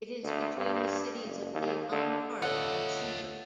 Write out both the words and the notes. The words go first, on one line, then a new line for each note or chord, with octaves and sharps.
It is between the cities of Avon Park and Sebring.
D2
G2
F#1
D#2
D3
D2 A3 F4 C#5 D#5 F#5